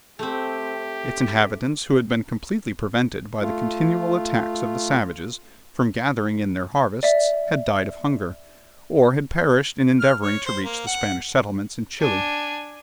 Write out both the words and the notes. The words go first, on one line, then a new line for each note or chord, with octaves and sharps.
Its inhabitants, who had been completely prevented by the continual attacks of the savages from gathering in their harvests, had died of hunger, or had perished in endeavouring to reach the Spanish settlements in Chili.
A3 C4 G4
A3 F4
D5 E5
F6
C#5
C5
A#3
F#5
D4 G#5